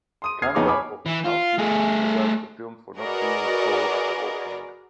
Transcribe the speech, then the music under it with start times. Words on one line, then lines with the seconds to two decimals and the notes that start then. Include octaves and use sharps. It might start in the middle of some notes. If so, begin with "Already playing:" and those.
Kanthan of "Kalki" criticised the film for not being thought provoking.
0.22 C6 D#6 D#7
0.42 D#6 F6 G#6 C7
0.55 F2 B3 D#4 G#4 C#5 D6
0.68 C#5 G#5 B5 D6
1.06 E3
1.25 F4
1.58 A3 G#4
2.96 F#4 G#4 A#4 B4 D5 D#5